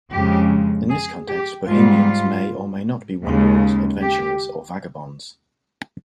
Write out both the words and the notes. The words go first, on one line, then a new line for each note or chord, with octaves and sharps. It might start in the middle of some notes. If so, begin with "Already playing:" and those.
In this context, Bohemians may or may not be wanderers, adventurers, or vagabonds.
F2 C#3 G#3 G4
G#4
G4
G#2 G3 F4
D#2 C#3 G#3
G4